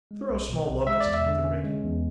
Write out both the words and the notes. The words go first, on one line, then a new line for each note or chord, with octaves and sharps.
Throw a small Locust into the rigging.
G#3
B1
B2
B1
G#3 E5
D5
E2
E5
D3
C#4
G#3
E2